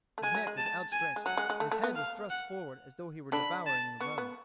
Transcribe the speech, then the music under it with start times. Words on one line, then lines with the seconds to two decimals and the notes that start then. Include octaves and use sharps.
His neck was outstretched and his head was thrust forward as though he were devouring the road.
0.18 A3
0.23 G#3 G#5
0.35 F#3
0.47 G#3
0.57 A5
0.92 G#5
1.16 G#3
1.26 F#3 F#5
1.37 G#3
1.50 G#3
1.60 A3
1.72 A3
1.84 B3
1.96 F5
2.30 F#5
3.32 D3 D4 B5
3.66 A5
4.00 B3 C#6
4.18 B3